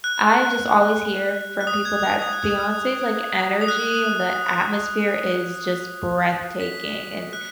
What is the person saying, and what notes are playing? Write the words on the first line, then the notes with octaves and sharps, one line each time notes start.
I just always hear from people that Beyoncé's, like, energy and the atmosphere is just breathtaking, and
F#6
F#6
D#6
G#6
D#6
D#6
F#6
D#6
D#6
F#6
B6
F#6